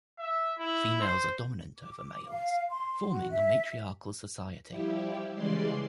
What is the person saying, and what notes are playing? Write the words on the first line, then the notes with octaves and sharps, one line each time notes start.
Females are dominant over males, forming a matriarchal society.
E5
E4
C5
D6
F5
C6
F#4
E5
F3 G3 E4 G4
C#3 E3 G3 G#3 D5 C6